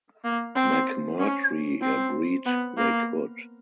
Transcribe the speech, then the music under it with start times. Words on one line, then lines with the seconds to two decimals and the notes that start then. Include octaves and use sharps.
McMurtry agreed they could.
0.24 A#3
0.55 C4
1.19 C#4
1.81 C4
2.46 B3
2.77 A#3